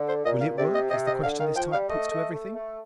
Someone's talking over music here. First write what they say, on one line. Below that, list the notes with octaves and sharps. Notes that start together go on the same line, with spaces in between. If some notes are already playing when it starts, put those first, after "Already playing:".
"Will it work?" is the question this type puts to everything.
Already playing: D3
C5
A#2 D#5
F5
A#2
C3 D5
D#5
C3 D#5
D#5
D3 F5
D#3 F5
F3 G5
G3 F5
A3 D#5
A3
A3
A3